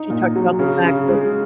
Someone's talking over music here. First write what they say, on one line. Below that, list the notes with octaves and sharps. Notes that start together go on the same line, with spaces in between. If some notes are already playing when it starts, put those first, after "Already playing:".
she talked about the fact that
Already playing: D#4
A#2
F#3
C#3
C#3
G#3